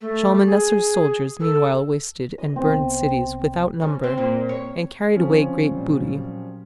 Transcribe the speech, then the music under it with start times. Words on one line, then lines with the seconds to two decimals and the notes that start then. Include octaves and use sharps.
Shalmaneser's soldiers meanwhile wasted and burned cities without number, and carried away great booty.
0.01 A3
0.46 G#4
1.40 A4
2.38 D#5
2.56 C2 B3 C4
3.81 C#4
4.04 C4
4.18 A#2
4.49 C#5
5.15 F3 C4 C#4
5.61 A#2 F#3 G3